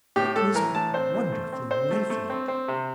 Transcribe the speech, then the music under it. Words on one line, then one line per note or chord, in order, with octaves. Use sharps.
It was wonderfully life-like.
A2 G4
A2 A4
E3 A#4
A2 A5
C4 C5
E3
A3
C4
C4 C5
A3
A3
C4
C4
C3